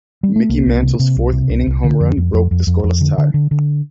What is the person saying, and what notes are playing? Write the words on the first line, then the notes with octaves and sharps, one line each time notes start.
Mickey Mantle's fourth-inning home run broke the scoreless tie.
G3
A3
C2 A#3
C2
C3
C3
C2
C3
C2
C2
D3
F2
F2
F2
F2
F2
F2
D3
D3
D3
D3